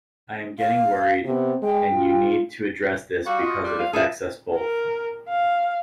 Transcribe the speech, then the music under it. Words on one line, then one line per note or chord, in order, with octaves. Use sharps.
I am getting worried, and you need to address this because it affects us both.
F5
C3 B3
G#3 G5
F4
G3 F#4 F5
F4 D#5
G3 D4
F5
F4 G#4 A4 B4 E5
A#4
F5